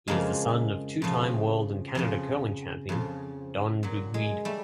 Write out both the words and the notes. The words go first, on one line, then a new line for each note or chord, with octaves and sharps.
He is the son of two time world and Canada curling champion Don Duguid.
F2 C#3 F3 G#3 A#3
F2 C#3 F3
F2 C#3 F3
F2 C#3 F3
A#2 F#3
G#3
G3 A3